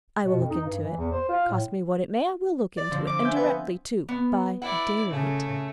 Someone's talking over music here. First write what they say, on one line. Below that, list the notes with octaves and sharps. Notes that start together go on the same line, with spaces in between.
I will look into it--cost me what it may, I will look into it--and directly too--by daylight.
B2
F2
D#4
G2
E3
E2
C5
F4
A2
D5
D3 F3 C4
D6
E5 G#5 G6
B3
B3
E4 D5 F#5
C#3 A3